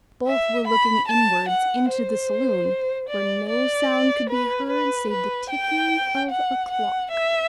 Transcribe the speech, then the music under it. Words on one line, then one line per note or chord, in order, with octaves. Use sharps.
Both were looking inwards--into the saloon, where no sound could be heard save the ticking of a clock.
E5
B5
A5
F#5
C5
D5
D5
B4
B4
B4
G5
F#5
F#5
E5